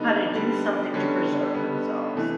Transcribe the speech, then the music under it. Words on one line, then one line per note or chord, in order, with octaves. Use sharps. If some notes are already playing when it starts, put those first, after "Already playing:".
how to do something to preserve themselves.
Already playing: D3 G3 B3 D#4
D3 G3 B3
D3 G3 B3 C#4
D3 G3 B3
C3 E3 A3